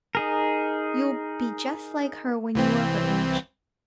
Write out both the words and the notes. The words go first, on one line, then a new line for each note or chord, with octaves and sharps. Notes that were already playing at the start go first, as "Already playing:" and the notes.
You'll be just like her when you are her age.'
D#4 G#4 A#4
C2 E3 C4